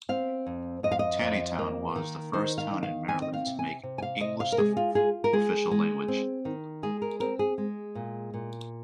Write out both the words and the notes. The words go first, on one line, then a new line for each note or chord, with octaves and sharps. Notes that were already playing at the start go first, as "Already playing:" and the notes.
Taneytown was the first town in Maryland to make English the official language.
C4 F5
F2
F2 D#5
F5
D#5
F2
A#3
D#3
D#3 C5
F5
D#3
F5
C4 G#5
D#5
F5
C3
G#5
C3
G#5
F5
C3 D#5
F5
A#4
G#3 G#4
F4
F4 G#4
A#4
G#3 G#4
G#3
C4
D#3
G#3 G#4
A#4
C4 A#4
G#4
G#3
A#2
A#2